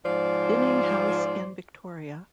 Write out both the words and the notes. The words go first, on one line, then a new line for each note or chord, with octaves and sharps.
Binning house in Victoria.
G#2 F3 C5 D5